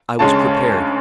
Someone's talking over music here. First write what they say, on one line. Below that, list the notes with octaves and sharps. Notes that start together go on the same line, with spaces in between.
I was prepared.
D2 C#3 G#3 C#4 A5